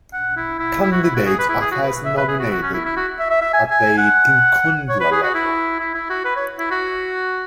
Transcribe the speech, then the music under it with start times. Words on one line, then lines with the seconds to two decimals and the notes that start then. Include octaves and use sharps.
Candidates are first nominated at the "tinkhundla" level.
0.13 F#5
0.36 E4
0.59 E4
0.82 E4
0.92 F#4
1.04 E4
1.16 F#4
1.26 G#4
1.38 B4
1.49 E4
1.61 G#4
1.71 F#4
1.83 B4
2.05 E5
2.17 B4
2.28 G#4
2.39 F#4
2.51 F#4
2.63 C#4
2.73 E4
2.85 E4
2.96 F#4
3.19 E5
3.30 E5
3.41 E5
3.53 G#5
3.70 G#5
3.98 F#5
4.89 C#5
5.00 B4
5.12 G#4
5.23 F#4
5.34 E4
5.80 E4
5.94 E4
6.10 F#4
6.25 B4
6.36 C#5
6.58 E4
6.70 F#4